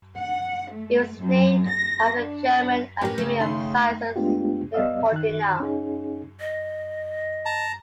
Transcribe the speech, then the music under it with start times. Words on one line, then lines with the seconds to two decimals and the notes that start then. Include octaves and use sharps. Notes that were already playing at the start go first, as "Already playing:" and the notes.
It was named after the German Academy of Sciences Leopoldina.
0.17 F#5
0.72 A3
1.19 F#2
1.69 A#6
2.17 D4
3.01 A2 C#4 G4 A#4 B4
3.18 C#3 A3
3.40 D#3 C6
4.16 G#3 A3 B3 D4 F4 G4
4.74 G3 B3 D5 D#5 F5 E6
5.12 D#3 F#6
5.60 C#4 D#4 G#4
6.40 D#5
7.46 A5 A#5